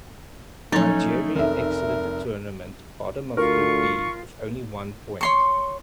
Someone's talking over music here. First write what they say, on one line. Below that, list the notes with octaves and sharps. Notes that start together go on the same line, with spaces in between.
Nigeria exited the tournament bottom of Group B with only one point.
F3 F#3 A3 C#4 D#4 A6
F1 A#4 E5
D2 F4 A#4 C#6
C#5 C6 C#6